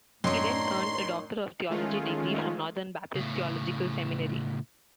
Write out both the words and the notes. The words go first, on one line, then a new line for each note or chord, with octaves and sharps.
He then earned a Doctor of Theology degree from Northern Baptist Theological Seminary.
F#2 A2 D#3 D4 C#5 A#5 C6
D#3 G#3 A3 C#4 F4
C#2 A2